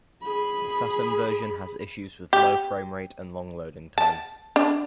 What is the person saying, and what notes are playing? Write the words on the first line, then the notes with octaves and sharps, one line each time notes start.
The Saturn version has issues with low frame rate and long loading times.
G#4 B5
G4
A5
D4